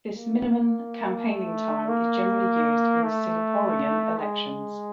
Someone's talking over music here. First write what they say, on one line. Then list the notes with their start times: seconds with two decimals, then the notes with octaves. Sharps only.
This minimum campaigning time is generally used in Singaporean elections.
0.14 A#3
1.30 A3
1.88 A#3
3.03 A3
4.19 G#3